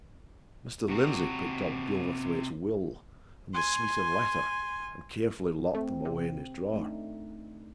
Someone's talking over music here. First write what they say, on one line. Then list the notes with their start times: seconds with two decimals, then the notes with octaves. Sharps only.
Mr. Lindsey picked up Gilverthwaite's will and the Smeaton letter, and carefully locked them away in his drawer.
0.89 C3 F#4
3.54 G#5 C6
5.75 A3 C4
6.05 C3
6.73 A3 D4 D#4